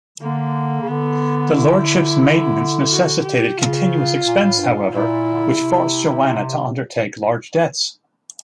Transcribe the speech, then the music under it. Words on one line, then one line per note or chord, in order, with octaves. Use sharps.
The lordship's maintenance necessitated continuous expense, however, which forced Joanna to undertake large debts.
D3 A#3
C#3
D3 B3
E4
F#4
G4
C#3 F4
A#2
A2
G2
G#2
A#2 E4
D3
C#3
C3